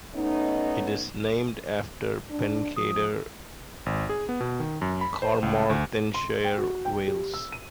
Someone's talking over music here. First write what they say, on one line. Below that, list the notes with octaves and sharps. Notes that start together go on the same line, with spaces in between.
It is named after Pencader, Carmarthenshire, Wales.
A3 B3 C#4 D#4
D4
F3 D#6
G#1
G#4
B3
B2
D#3
F#2
B5
C5
C#2
D2
C6
G5
F#4
G5
G4
E6
D#7